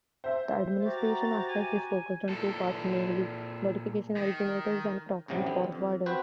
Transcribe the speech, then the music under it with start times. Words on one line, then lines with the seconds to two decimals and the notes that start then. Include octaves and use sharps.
The administration aspect is focused on two parts, namely notification originators and proxy forwarders.
0.24 C5 E5
0.84 F#4 G4 A#5 A6
1.49 G#5
2.29 A#2 A4
4.17 D#3
5.28 A1 F#2 C3 F#3 G3
5.46 D3 B3 C4
5.72 F2
6.06 C4 F#4 B4 C5